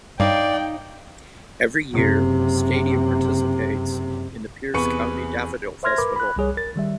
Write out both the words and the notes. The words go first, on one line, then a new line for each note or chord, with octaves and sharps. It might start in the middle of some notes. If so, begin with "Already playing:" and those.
Every year, Stadium participates in the Pierce County Daffodil Festival.
G2 D#4 C#5 D5 F5 G5
F#1 C3
E2 C3 G#4 B4 C#6 C#7
C5 E5 C6 F6 G#6 A#6
A#4 B4 B5 D6
B5 F#6
C2 G3 G#4 C#5
A#4 A6
D#3 G3 E5